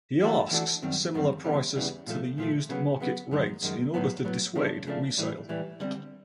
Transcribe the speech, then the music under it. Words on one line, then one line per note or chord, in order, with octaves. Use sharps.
He asks similar prices to the used market rates in order to dissuade resale.
E3 A3 D4 F#4 A4
E3 A3 D4 F#4 A4
F#2 D#3 G3 C4
F#2 D#3 G3 C4
E2 C#3 E3 G3
E2 C#3 E3 G3
A#2 F3 A3
A#2 F3 A3
C#3 F#3 B3
C#3 F#3 B3
F#2 D#3 G#3
F#2 D#3 G#3
A2 F#3 B3
A2 F#3 B3
C#3 F3 A3 D4
C#3 F3 A3 D4
A2 E3 G3
A2 E3 G3
D3 G3 C4